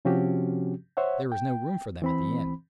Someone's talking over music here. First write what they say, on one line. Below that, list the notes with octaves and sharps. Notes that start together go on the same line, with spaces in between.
There was no room for them at the inn.
C3 F3 C4 C#4 F#4 G4
C5 C#5 E5 F#5
G5
E3 C4 B5